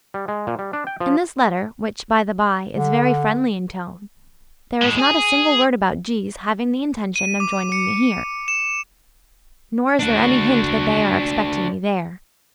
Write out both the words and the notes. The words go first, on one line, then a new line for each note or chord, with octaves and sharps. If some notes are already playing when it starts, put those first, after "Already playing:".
In this letter, which, by-the-bye, is very friendly in tone, there is not a single word about G.'s having the intention of joining me here, nor is there any hint that they are expecting me there.
G3
G#3
A#2
G3
D4
G5
F3
D3
A2 G#3
G#4
D#7
D6
C#7
E7
D4 F#4